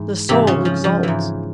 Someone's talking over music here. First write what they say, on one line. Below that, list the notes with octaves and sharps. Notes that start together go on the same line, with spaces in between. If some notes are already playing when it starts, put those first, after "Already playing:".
The soul exults.
Already playing: G#2 E3
G#2 C3 E3 C4
C#3 C#4
F3
F3
G#2 E3